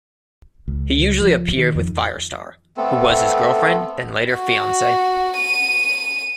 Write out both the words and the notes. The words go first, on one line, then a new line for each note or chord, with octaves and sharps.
He usually appeared with Firestar, who was his girlfriend then later fiancee.
C#2
F3
D#3
F2
A3 B3 C4 A4
F#4
D#7